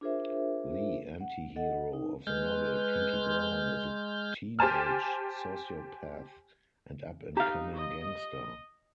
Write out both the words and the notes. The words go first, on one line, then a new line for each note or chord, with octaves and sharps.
The antihero of the novel, Pinkie Brown, is a teenage sociopath and up-and-coming gangster.
D4 F4 G#4 A#4 C5 E5
F#5
A4 D#5 F#5
D#4
G#3 B4 F6 G6
G4 C5 G#5 A5 F6
D#4 G4 F5 A#5
D#5